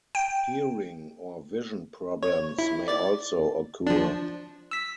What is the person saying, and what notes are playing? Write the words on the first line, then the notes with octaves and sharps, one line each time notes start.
Hearing or vision problems may also occur.
G5
C#5
E4
D5 A6
F3 D4
E6 B6